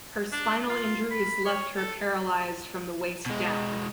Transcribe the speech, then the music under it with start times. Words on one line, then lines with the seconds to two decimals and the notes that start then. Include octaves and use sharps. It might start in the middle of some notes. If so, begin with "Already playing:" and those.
Her spinal injuries left her paralysed from the waist down.
0.32 D4
0.69 F4
1.11 B5
1.45 C#5
1.77 A4
3.26 B2 G#3